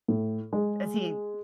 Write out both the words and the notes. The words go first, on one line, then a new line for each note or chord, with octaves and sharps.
Is he
A2
G#3